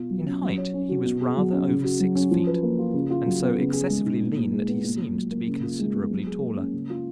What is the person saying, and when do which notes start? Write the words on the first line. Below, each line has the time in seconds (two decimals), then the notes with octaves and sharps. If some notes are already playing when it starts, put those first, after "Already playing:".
In height he was rather over six feet, and so excessively lean that he seemed to be considerably taller.
Already playing: B2 F4
0.10 F#3
0.26 C#4
0.41 F#3
0.57 C#5
0.74 C#4
0.89 F#4
1.05 B2
1.21 G#4
1.37 F#3
1.52 C#4
1.69 C#3
1.84 F#4
2.00 F#3
2.15 C#4
2.31 F3
2.47 B4
2.63 A#3
2.79 F4
2.94 C#3
3.10 F4
3.26 F#3
3.42 B3
3.58 C#3
3.73 G#4
3.89 G#3
4.05 D#4
4.20 A#2
4.37 A#2
4.52 G#3
4.68 B3
4.84 A#2
5.00 A#2
5.16 F#3
5.31 A#3
5.47 C#3
5.63 F4
5.79 G#3
5.94 B3
6.11 F#3
6.26 G#4
6.42 A#3
6.57 C#4
6.74 C#3
6.90 F4